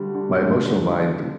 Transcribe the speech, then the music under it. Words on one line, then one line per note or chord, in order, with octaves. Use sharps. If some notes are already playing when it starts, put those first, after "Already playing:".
my emotional mind
Already playing: D2 D3 G3
D3
D3